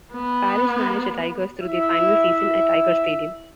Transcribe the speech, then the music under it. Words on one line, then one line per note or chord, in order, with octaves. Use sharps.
Parrish managed the Tigers through their final season at Tiger Stadium.
B3
E4 E5